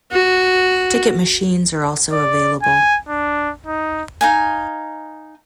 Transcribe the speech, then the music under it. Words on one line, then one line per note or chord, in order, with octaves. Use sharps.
Ticket machines are also available.
F#4
D5
G#5
D4
D#4
D#4 F5 G#5